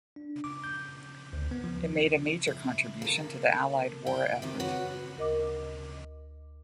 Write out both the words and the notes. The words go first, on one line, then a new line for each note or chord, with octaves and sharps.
It made a major contribution to the Allied war effort.
D4
D6
G6
D2
B3
F3
E4
A#3 A4
E4 G5
C3 D#3 G4
F#4 B4 C#5
D2 A#4 D#5 D6